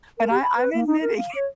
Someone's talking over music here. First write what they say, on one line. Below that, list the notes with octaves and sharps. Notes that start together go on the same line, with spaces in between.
But I I'm admitting it
A#4
G4
B5
B4
A#3
D#4
A#4
F5
C#5